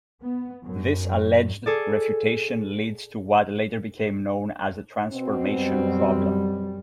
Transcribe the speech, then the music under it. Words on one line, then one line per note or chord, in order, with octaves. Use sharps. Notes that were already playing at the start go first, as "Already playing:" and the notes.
This alleged refutation leads to what later became known as the transformation problem.
B3
F#2
G#4 A4 D5
B2 C4
F#2 G3